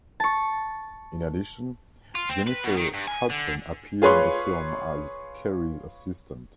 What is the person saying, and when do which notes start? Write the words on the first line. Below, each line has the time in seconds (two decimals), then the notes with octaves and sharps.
In addition, Jennifer Hudson appears in the film as Carrie's assistant.
0.20 A5 C#6
2.15 F4
2.29 C4
2.47 B4
2.64 B2
2.77 D#3
2.94 G2
3.08 G#5
3.30 D3
4.02 F4 G#4 B4 C#5 C6